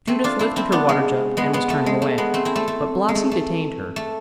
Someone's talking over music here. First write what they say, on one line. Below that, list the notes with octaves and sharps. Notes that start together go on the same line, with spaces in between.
Judith lifted her water-jug and was turning away, but Blasi detained her.
A3 C4
D4 F4
C4 E4
C4 E4
B3 D4
G#3 B3
G#3 B3
G#3 B3
A3
G#3
A3
G#3 B3
A3 C4
C4 E4
A3 C4
A3
G#3
A3
A3
A3